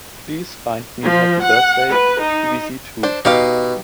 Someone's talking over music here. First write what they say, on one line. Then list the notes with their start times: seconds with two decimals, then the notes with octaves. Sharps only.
Please find me Happy Birthday BBC Two.
1.03 F3
1.43 F#5
1.91 B4
2.20 D#4
3.03 D4 C5
3.25 B2 D#4 G4 F5